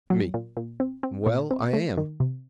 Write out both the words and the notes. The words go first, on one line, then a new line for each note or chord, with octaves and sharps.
ME: Well, I am.
F#3
A#2
A#2
C4
C4
A#2
C4
A3
D#3
C3